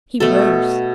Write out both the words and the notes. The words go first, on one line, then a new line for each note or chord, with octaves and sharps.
He rose.
B2 A3 A4